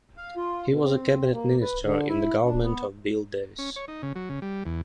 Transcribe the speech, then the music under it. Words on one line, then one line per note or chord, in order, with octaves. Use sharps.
He was a cabinet minister in the government of Bill Davis.
F5
F4
B2
C4
A#3
B4
D3
E4
D4
B3
C#4
C#5
D#4
C#3
F#3
C#3
G3
E2